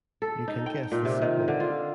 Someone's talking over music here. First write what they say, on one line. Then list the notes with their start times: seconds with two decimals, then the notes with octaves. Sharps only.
You can guess the sequel.
0.22 A4
0.48 D#4
0.66 G5
0.92 A#2
1.05 C3
1.22 D#3
1.48 D3
1.60 F4